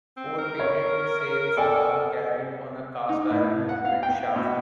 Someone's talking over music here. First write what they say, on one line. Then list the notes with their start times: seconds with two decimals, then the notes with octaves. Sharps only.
Four Patent sails are carried on a cast-iron windshaft.
0.17 C4
0.38 A#4
0.60 C#5
1.57 A4 D5 G5 G#5
3.09 D#4
3.31 A2
3.69 F#5
3.85 F5
4.03 G5
4.36 B2